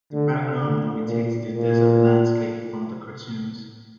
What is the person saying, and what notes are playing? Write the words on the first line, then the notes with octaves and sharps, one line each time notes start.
The background imitates the desert landscape from the cartoons.
D3
D3
A#2
A#2